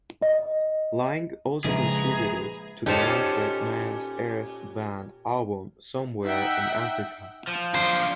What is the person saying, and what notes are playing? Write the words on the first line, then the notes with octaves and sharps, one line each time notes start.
Laing also contributed to the Manfred Mann's Earth Band album "Somewhere in Afrika".
D#5
A#1 C#3 F3 G#3 G#4 B4 A#5
A#2 C#4 D#4 G4 A4 C5 A5
D#4 E5 F#5 G5
F3
D4 F4 C5